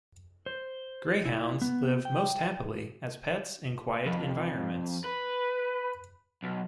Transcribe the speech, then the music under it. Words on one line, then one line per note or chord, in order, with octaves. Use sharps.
Greyhounds live most happily as pets in quiet environments.
C5
E4
B3
G5
F2
B4
B1